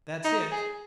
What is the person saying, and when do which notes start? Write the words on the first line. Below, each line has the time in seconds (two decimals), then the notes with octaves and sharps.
"That's it."
0.24 D#4
0.51 G#4